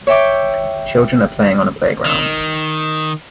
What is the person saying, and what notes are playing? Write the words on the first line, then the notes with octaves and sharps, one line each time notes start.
Children are playing on a playground.
C#5 E5 G5 D6
D#3